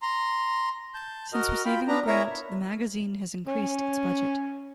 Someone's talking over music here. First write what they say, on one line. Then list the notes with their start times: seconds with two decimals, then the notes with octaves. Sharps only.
Since receiving the grant, the magazine has increased its budget.
0.02 A#5 C6
0.94 A5 G6
1.33 F#4 A#4 D#5 F6
1.65 F4 G5 B5
1.88 B3 D4 A#5
2.07 E4 A#4 C#5 E5 A#5
3.47 C#4